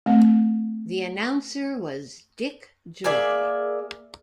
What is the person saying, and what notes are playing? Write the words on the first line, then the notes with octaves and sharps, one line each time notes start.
The announcer was Dick Joy.
A3 C4
A#3 G#4 D5 E5